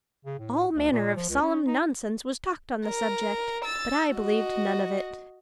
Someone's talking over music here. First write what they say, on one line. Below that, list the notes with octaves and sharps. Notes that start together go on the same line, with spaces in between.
All manner of solemn nonsense was talked on the subject, but I believed none of it.
C#3
A2
D2
A#2
F3
C#2
C#4
D#4
A#4
E6 A6
F#4 D#5